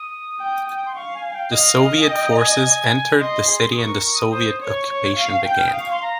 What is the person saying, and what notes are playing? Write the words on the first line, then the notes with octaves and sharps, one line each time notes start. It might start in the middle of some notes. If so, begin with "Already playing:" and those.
The Soviet forces entered the city and the Soviet occupation began.
Already playing: D#6
G5
G5
C6
F5 C#6
G#5
G#5
G5
D#5 F5
D#5
G#5
G5
A#5
G#5
D#5 C6
G#4
D#6
A#4 C#6
C#6
D#6
C5 D#6
C#5 C#6
C#5
F5
G5
F6
D#6
F5
C#6
C6
A#5